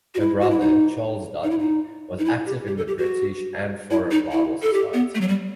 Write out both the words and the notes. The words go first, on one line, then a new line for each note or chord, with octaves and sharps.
Her brother Charles Dudley was active in the British and Foreign Bible Society.
F#4
E4
F#4
E4
D#4
D#4
E4
D#4
D#4
E4
G4
G4
A4
G4
F#4
E4
D#4
E4
A4
G4
B3
A3
F#3
G3